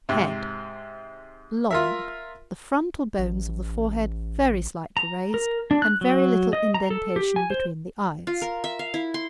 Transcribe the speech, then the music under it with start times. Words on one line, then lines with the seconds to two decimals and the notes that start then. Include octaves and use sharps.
HEAD--Long, the frontal bones of the forehead very slightly raised and very little indentation between the eyes.
0.09 G#2 C3
1.71 F4 A#4 E5
3.19 A1
4.97 A#5
5.34 A#4
5.71 D4
5.82 F#6
6.01 F#3
6.53 D#5
6.74 A#5
6.90 A4
7.16 G4
7.36 G#5
7.50 C5
8.27 F4
8.42 A#4
8.64 E5
8.79 F5
8.94 E4
9.14 C6